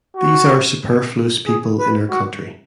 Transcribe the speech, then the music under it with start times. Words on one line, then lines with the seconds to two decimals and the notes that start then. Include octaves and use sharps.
These are superfluous people in our country.
0.17 F#4
1.46 G#4
1.78 B4
2.10 F#4